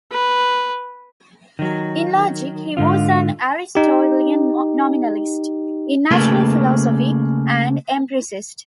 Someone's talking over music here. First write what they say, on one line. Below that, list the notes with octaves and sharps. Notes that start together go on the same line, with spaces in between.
In logic, he was an Aristotelian nominalist; in natural philosophy, an empiricist.
B4
D#3 F#3
G#2 D3 F4
D#4 G4
C#3 A3 A#3 G#4 B4